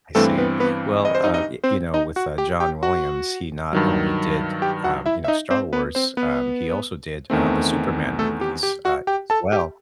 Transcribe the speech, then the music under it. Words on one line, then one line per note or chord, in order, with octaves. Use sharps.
I see, well, uh, yo you know, with, uh, John Williams, he not only did, um, you know, Star Wars, um, he also did, uh, the Superman movies, uh, as well,
G2 E3 G3 A3 C4 A4
B3 B4
B3 B4
D#5
C5
D#4 D#5
D#4 D#5
C4 C5
D#4 D#5
F#4 F#5
G4 G5
G4 G5
F#4 F#5
G2 D#3 F#3
G4 G5
F#4 F#5
E4 E5
E5
D#4 D#5
C4 C5
B3 B4
C4 C5
B3 B4
E2 D#3 A3 C4
A3 A4
G4
G4
F#4 F#5
G4 G5
A4 A5
G4 G5